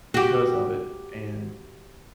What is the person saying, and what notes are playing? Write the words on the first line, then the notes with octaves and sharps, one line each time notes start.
because of it. And
F#4 G4